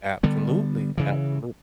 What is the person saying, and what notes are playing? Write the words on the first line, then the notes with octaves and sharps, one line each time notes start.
Absolutely, absolute
D3 G3 B3
C#3 E3